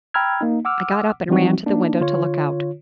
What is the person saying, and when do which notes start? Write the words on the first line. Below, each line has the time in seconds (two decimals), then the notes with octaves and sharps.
I got up, and ran to the window to look out.
0.14 G5 A#5 B5 E6 F6 G#6
0.41 A#3 D#4
0.65 F#5 D6 E6 F6
1.29 E3 F3 G3 C4 D#4 F#4
1.66 A#3 D4 D#4
2.00 D3 F4 C#5